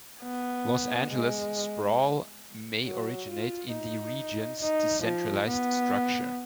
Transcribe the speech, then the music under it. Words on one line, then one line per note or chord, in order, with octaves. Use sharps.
Los Angeles' sprawl may originate in the region's decentralized structure.
B3
G#3
F#3
F4
D#4
D#4
F3
B3